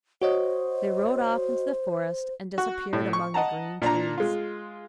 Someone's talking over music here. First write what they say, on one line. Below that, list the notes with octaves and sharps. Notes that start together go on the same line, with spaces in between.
They rode off into the forest, and disappeared among the green trees.
F#4 C5 C#5 D#5
F#4
A2
C#6
D#5 F#5 A5 A#5
A#2 D4 A#5
G#3 F4